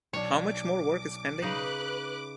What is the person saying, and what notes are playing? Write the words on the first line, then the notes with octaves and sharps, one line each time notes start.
How much more work is pending?
B1 D4 C#5 D6
C#3 D#4 B4 F#6